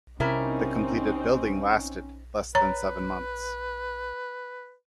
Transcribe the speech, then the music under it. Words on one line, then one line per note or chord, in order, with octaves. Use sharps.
The completed building lasted less than seven months.
C3 G3 C4 C#4 D#4 E4 A#4
B4 C#5 A#5